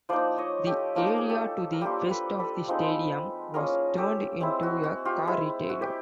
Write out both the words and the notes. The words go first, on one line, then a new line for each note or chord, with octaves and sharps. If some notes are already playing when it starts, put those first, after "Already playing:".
The area to the west of the stadium was turned into a car retailer.
F3 A#3 D#4 C5 D5
C#5 D#5
G4 A4
F3 A#3 D#4 A#4
A4
G#4
G4 A4
A#4
G3 A#3 D4 F4 G4 A4
A4 B4 C5
A4 B4
F3 G#3 C4 D#4
A#3 C#4 F4 G#4 A#4
G4 A4
G#3 C4 E4
F#4
F#4
F4 G4
G#3 C4 E4
F#4
G4